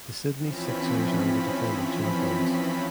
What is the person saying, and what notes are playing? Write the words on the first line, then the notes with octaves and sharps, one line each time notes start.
The Sydney Sixers are the defending champions.
E3 F3 C4 C#4 B5 B6